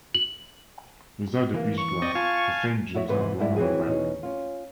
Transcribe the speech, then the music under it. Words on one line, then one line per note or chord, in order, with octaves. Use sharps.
Without the beachgrass, the sand dunes are blown away by wind.
F#7
E3 A#3
C#6
C4 D5 D#5 G5
F4 F5 G#5 A5
E4 F#4 C#5 D5 E5
G#2 C3 E3 B4 C5 G#5
G#2 G#3 E4 C5 D5
E3 F#3 C4 G#4
B2 C#4 D#4
C#4 F4